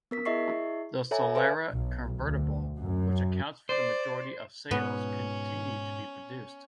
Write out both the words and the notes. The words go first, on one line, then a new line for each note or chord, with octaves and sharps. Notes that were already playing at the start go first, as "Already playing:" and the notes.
The Solara convertible, which accounts for the majority of sales, continued to be produced.
B3 A#4 B6
E4 G#4 D#5 E5 C#6 C7
A4 C#5 E5 G#5 A#5
A4 B4 E5 F5 G#5
B1
D2
F#2
C5 D5
G#2 B2 B3 C#4